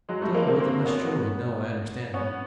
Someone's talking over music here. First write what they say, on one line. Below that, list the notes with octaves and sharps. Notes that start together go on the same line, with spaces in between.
Dilworthy must surely know I understand him.
F#3 G#3
G3 A3
G#3 A#3
A#3 C4
A#3 C4
B3 C#4
B3 C#4